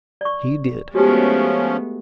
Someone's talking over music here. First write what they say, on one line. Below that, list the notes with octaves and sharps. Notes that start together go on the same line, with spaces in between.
He did.
D5 C#6
F3 G#3 A3 B3 C#4 F#4 G4